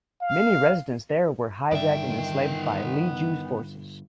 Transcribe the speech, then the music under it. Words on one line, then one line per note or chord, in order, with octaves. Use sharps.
Many residents there were hijacked and enslaved by Li Jue's forces.
F5
G2 D3 D#3 B3 D5 E5 G5